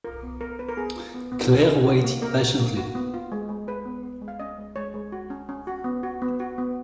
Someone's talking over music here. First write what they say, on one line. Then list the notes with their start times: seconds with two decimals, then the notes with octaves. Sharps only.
Claire waited patiently.
0.04 F4 A#4
0.23 B3
0.41 B3 A#4
0.59 B3 B4
0.69 A#4
0.77 B3 G#4
0.96 F4
1.14 B3
1.32 B3
1.49 F#4
1.68 C#4
1.86 F#4
2.04 A#3
2.22 A#3 A#4
2.41 F#4
2.59 A#3
2.77 F#4
2.95 B3
3.14 F4
3.32 G#3
3.49 G#3
3.67 G#3 B4
3.85 B3
4.03 B3
4.21 G#3
4.28 F5
4.40 C#4 D#5
4.58 G#3
4.76 G#3 C#5
4.94 G#3
5.12 F#4
5.30 C#4
5.49 C#4
5.67 F#4
5.84 B3
6.03 F#4
6.22 B3
6.40 F#4
6.58 B3